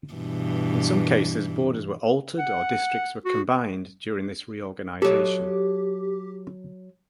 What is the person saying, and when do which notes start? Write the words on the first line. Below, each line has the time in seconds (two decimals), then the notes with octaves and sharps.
In some cases, borders were altered or districts were combined during this reorganisation.
0.14 G2 B2 E3
2.39 F#5
3.25 F#4
5.02 F#3 G4 A4